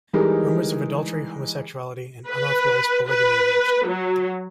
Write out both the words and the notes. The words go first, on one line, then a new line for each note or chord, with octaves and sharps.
Rumors of adultery, homosexuality, and unauthorized polygamy emerged.
E3 G3 G#3 D#4 G4 A#4
B4
B4
F#3